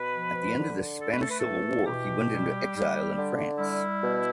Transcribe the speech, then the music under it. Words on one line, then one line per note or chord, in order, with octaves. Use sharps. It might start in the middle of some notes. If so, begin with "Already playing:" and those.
At the end of the Spanish Civil War he went into exile in France.
Already playing: B2 B4
F3
D3
A3 A4
B4
A4
B4
A4
E3
B2 G4
G3
G3
D3
G3 E4
B2